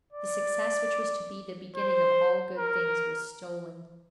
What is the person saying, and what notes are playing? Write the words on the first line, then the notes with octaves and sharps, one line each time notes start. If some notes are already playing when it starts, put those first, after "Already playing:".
The success which was to be the beginning of all good things was stolen.
D5
C5
A#4